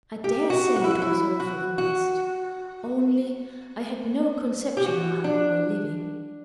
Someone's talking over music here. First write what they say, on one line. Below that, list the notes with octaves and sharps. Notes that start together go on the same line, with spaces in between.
I dare say it was all for the best, only I had no conception of how you were living.
G4
F#4
F#4
E4
F#4
E4
F#4
F#4
G4
F#4
D4